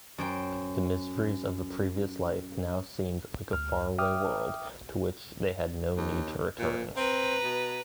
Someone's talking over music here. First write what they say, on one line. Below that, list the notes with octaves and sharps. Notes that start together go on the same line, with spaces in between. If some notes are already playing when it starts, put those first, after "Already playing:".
The miseries of the previous life now seemed like a faraway world to which they had no need to return.
F#2 C5 G5
D2 F6
E5 G5 D6 D#6 F6
D#2
A#2
C4 B4 A#5
B2